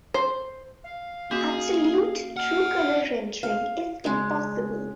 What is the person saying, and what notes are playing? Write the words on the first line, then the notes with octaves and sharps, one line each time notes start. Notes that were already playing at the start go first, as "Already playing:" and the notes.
Absolute true-color rendering is impossible.
C5
F5
A#3 C#4 F#4 G#4
D#5 F#5 F6
F5
C#3 G#3